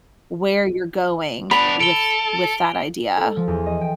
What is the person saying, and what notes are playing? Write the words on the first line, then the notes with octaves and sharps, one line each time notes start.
where you're going with with that idea.
B3 D4 B5 F7
A4 D7 G7
A4
F3
E2
D#5
G5